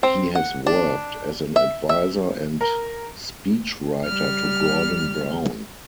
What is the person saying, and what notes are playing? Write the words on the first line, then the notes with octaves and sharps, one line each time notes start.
He has worked as an advisor and speechwriter to Gordon Brown.
C4
F#5
D4
E5
E5
A#4
G3 F6